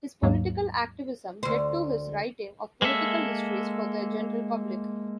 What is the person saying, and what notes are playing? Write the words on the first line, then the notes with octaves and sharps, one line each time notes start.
His political activism led to his writing of political histories for the general public.
D#2 G#2 F#3 G#3 A#3
D2 C5
G#3 A#3 A4 E5